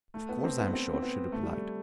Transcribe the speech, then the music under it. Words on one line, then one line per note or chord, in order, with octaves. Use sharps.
"Of course I'm sure!" she replied.
A3
B3
C4
B3
B3
C4
C4
B3
A3
G3
A3